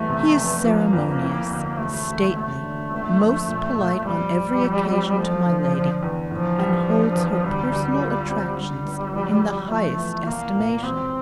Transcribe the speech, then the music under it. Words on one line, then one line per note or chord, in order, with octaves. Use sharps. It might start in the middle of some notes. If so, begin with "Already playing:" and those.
He is ceremonious, stately, most polite on every occasion to my Lady, and holds her personal attractions in the highest estimation.
Already playing: E2 G3 A3
C3
F1
F3 A#3
F2
E4
D2
E1 A3
E1
E1 A3
D3
G1
F2
A#2
A#2
F2 G3
F2
F3
C4
F3 A3
D3
D3
E2
A2 F3
G3
D4
E2
D2 G3
D2
F4
C4
D3 G3
G1
F3
G1
F3 A3
E2
C2 A#3
A#2
E1 C4